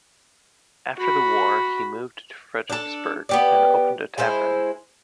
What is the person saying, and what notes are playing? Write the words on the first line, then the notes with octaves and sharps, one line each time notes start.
After the war, he moved to Fredericksburg and opened a tavern.
F#4 B5
D4 A4
B3 G4 D5
G#3 E4 C5